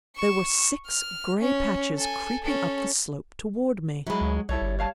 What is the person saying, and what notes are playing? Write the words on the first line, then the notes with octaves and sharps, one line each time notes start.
There were six gray patches creeping up the slope toward me!
C#6 E7
F6
C#4
A4 G#5
C#4 A4
F#3 G#3 E4 B5
D2
B1 G3 E4 A4 C#5
G1
C#5 F5 A5